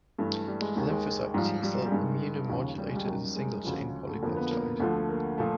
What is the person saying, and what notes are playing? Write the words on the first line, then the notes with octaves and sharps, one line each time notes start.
Lymphocyte T-Cell Immunomodulator is a single chain polypeptide.
G2 E3 A3
G3
G#3
D#2 D#3 G#3
G#3
G#2 F3 G3
G3
G3
G2 D#3 G#3
D#2 C#3 F3
G3
G#3
G3
F#2 D#3
G#3
D2 C#3 F3
A3
F2 D3 F3 A#3
B3
A#3
D2 D3 F3 A3
A#3
A#2 F3 A3